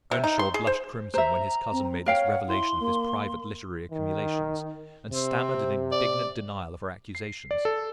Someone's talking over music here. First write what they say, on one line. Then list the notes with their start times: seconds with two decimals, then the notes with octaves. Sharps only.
Earnshaw blushed crimson when his cousin made this revelation of his private literary accumulations, and stammered an indignant denial of her accusations.
0.11 C3
0.24 D#4
0.39 C6
0.54 G#4
0.67 C5
1.14 C5 E5 A#5
1.72 C4
2.06 A#4 C#5 F5 G5
2.25 F#5
2.48 E4 C6
2.80 A#3
3.92 D#3
5.11 C3 C4
5.92 D5
7.15 C7
7.51 D5
7.65 A4